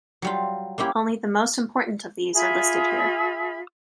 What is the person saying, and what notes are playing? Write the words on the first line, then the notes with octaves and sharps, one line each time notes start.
Only the most important of these are listed here.
F#3 G3 F4
A#3 C#4 E4 G4
F4 G#4 E5 B5